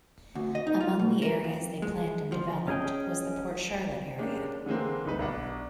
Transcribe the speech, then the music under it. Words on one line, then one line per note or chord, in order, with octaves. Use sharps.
Among the areas they planned and developed was the Port Charlotte area.
D2
D#5
D#4
F4
B2
A#4
F2
G#3
F3
C#4 G#4 D#5 G5
G#3 A#3 C#4 D4 G4
D3 E3 G#3 A#3 C4
D2 G3 D#4 B4
B1 D4 F#5